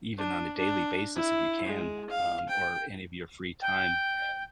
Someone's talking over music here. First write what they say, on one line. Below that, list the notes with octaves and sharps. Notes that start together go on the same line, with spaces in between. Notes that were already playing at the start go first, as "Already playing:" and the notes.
even on a daily basis if you can, um, or any of your free time, and
D4
D4
E4
G#3
F5
G5
G5